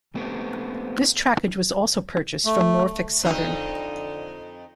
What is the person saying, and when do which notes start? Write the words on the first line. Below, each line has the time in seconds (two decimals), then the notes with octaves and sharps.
This trackage was also purchased from Norfolk Southern.
0.15 A3 B3 C4 G4
2.45 A3
3.23 F2 D3 D#4